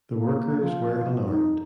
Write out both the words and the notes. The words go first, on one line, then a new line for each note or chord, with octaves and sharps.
The workers were unarmed.
A#3
F3
D#4